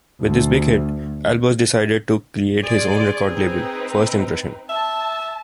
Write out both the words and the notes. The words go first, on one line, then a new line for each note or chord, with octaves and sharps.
With this big hit, Albers decided to create his own record label, First Impression.
D2
G#4 D5 C6
C4 D#4 B4
E5 A5